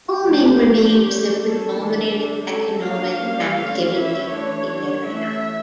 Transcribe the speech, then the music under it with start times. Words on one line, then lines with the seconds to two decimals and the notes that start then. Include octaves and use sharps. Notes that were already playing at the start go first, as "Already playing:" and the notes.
Farming remains the predominant economic activity of the area.
0.24 F3 A3 D4 G4
0.61 F3 A3 D4 G4
0.98 D3 G3 A#3 C#4
1.35 G3 C#4 A4
1.71 E3 A#3 D4
2.08 D3 G3 D4
2.45 G3 C#4 A4
2.81 F3 A#3 D4 F5
3.19 G3 A#3 C#4
3.55 D3 A3 C#4
3.92 E3 G3 C#4 E5
4.29 E3 A3 D4 C#5
4.65 G3 D4
5.03 E3 A3 C#4 E5